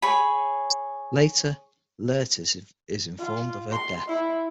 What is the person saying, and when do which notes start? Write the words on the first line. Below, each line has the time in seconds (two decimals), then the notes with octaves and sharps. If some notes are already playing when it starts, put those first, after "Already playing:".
Later, Laertes is informed of her death.
0.02 G#4 C#5 G#5 B5
3.19 F4
3.72 C6
4.09 E4